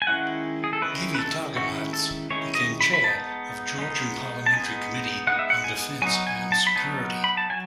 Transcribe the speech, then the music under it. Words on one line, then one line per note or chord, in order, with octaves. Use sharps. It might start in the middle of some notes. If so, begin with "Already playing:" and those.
Givi Targamadze, became Chair of Georgian Parliamentary Committee on Defense and Security.
G#5
D#3 G#3 C#4 E4 F#5
G#4
A4
D#3 G#3 C#4 E4 B4
B4
A4
D#3 G#3 C#4 E4 F#4
A4
D#3 G#3 C#4 E4 C#5
D#5
B5
B5
G#3 B3 D#4 A5
G#3 B3 D#4
A5
G#3 B3 D#4 G#5
G#3 B3 D#4 F#5
E5
F#5
G#5
F#3 B3 D#4 G#5
G#5
A5
B5
F#3 B3 D#4 A5
B5
A5
F#3 G#5